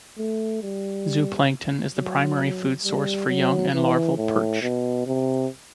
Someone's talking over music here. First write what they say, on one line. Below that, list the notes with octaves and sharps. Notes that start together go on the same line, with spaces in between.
Zooplankton is the primary food source for young and larval perch.
A3
G3
F#3
G3
F#3
E3
A2
B2
C3